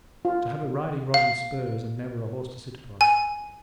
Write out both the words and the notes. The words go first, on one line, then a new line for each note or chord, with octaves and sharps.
To have a riding-rod and spurs, and never a horse to sit upon!
F4
F5
G#5